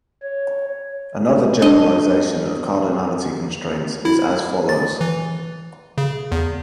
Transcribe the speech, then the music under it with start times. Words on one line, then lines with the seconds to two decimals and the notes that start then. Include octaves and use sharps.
Another generalization of cardinality constraints is as follows.
0.23 C#5
1.62 D4 D#5
4.05 E4
4.69 A6
5.01 E3
5.98 C#3
6.32 E2